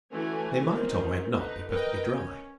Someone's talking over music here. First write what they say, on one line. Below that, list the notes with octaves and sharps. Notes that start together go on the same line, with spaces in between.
They might or might not be perfectly dry.
D3 E3 A3 C#4 F#4 G#5
D#3 C4 C#4
D3 D#4 B4
A#4 B4 D#5 G5
C#4